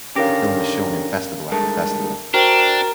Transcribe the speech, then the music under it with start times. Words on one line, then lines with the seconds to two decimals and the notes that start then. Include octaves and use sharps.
The film was shown in festival after festival.
0.16 D3 D#3 C#4 G4 A#4 C#5 F5 A#6
1.52 G2 G#3 A3 A#4 A5
2.34 D4 F#4 A#4 C5 G5